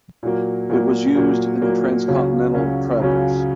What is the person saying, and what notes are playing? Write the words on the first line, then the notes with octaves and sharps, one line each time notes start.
It was used in the Transcontinental Traverse.
A#2 F#3 A#3
A#2 F#3 A#3
A#2 F#3 A#3
A#2 F#3 A#3
C#2 C#3 F#3 C#4
C#2 C#3 F#3 C#4
C#2 C#3 F#3 C#4